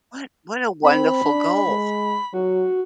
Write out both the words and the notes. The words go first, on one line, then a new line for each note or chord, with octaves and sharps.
What what a wonderful goal, a
C4 B5
D4
G#3
F#3 F#4